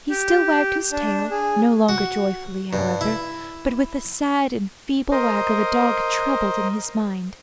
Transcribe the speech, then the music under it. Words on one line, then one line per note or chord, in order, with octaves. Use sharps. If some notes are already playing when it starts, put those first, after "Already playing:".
He still wagged his tail--no longer joyfully, however, but with the sad and feeble wag of a dog troubled in his mind.
G4
D4
G#4
F#4
G2
E4
A#4 C5 D#5